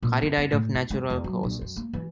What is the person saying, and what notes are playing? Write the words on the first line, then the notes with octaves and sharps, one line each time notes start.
Curry died of natural causes.
A#2
B3
B3
A2
E4
G#3
E2
F#3
A#1
F#2
A#3
E3